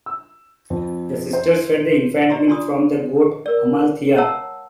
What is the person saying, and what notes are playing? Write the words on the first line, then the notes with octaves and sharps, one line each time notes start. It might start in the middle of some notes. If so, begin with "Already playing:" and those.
The sisters fed the infant milk from the goat Amaltheia.
E6
F2
C5
G4 D5 D#5 A#5 C6
D4 F4 D5 C6 D#6
A#4 D5
C#5 F5 F#5 A5 A#5 E6